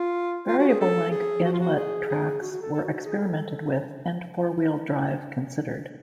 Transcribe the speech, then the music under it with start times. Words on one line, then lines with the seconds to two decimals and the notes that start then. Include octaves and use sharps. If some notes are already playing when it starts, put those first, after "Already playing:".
Variable length inlet tracts were experimented with and four wheel drive considered.
Already playing: F4
0.48 F4
0.58 F#4
0.69 G#4
0.80 A4
1.11 G#4
1.44 F#4
1.53 F4
1.60 F#4
1.76 G#4
2.08 G#4
2.41 F#4
2.52 F#4
2.62 A4
2.73 A4
2.83 F#4
2.94 F#4
3.05 G#4
3.21 A4